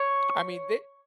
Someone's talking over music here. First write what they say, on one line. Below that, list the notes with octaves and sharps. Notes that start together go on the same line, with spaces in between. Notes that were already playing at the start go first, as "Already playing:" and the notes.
I mean, they
Already playing: C#5